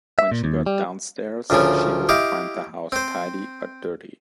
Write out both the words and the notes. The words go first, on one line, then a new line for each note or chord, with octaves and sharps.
When she got downstairs, she would find the house tidy, but dirty.
E5
A#2
D#2
G3
D2 A#2 C#3 F3 C#4
E4 G4 D#5 F5
C4 C5